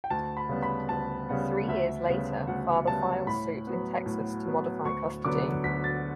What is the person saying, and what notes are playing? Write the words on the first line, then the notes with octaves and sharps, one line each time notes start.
Three years later father files suit in Texas to modify custody.
G5
D2 A5
B5
C#3 G3 B3
B5
D2 A5
C#3 G3 B3 F#5
D2 E5
C#3 G3 B3
D2 F#5
C#3 G3 B3 A5
A2 B5
F#3 B3
A2
F#3 B3
D2 C#6
D3 F#3 B3 D6
D2 B6
A6